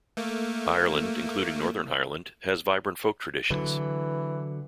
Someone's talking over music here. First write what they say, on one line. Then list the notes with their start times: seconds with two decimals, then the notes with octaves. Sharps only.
Ireland, including Northern Ireland, has vibrant folk traditions.
0.17 A3 A#3
3.50 D3 E3 F#3